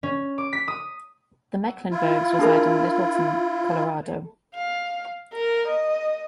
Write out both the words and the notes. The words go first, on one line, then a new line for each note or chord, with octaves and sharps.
The Mecklenburgs reside in Littleton, Colorado.
C#4
D6
B6
D#6
E4 F4
D4 G#4 A#4
F5
A#4
D#5